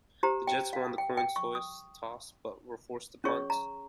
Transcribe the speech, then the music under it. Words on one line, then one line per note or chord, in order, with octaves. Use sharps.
The Jets won the coin toss, but were forced to punt.
G4 C5 A#5
G5
F5
G5
G5
C#6
D#6
C#4 G#4 C#5 C#6
A#5